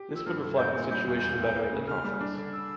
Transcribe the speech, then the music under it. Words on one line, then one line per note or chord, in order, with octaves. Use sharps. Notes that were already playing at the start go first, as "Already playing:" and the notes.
This would reflect the situation better at the Conference.
Already playing: G4
F3
E6
G2 F6
D3
A#1 G6
A#2
G3 G6
E2
G6
E1
D2
G6
A#3
C#3
C#3 F6
G3
D4
D3
E6